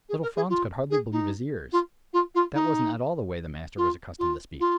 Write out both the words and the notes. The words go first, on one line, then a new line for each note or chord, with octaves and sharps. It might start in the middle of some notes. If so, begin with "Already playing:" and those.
Little Franz could hardly believe his ears; that wasn't at all the way the master was accustomed to speak.
G#4
A#4
G#4
F4
G#4
D#4
F4
F4
F4
D#4
F4
F4
F4